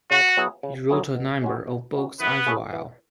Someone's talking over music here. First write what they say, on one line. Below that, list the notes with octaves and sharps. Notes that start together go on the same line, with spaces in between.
He wrote a number of books as well.
C#3 F#4
F#3 B3 E4 G#4
C#3
F#3 B3 E4 G#4
B2
G#3 C#4 F#4
B2
G#3 C#4 F#4
E3 B3 B4
A3 C#4 E4 G#4
E3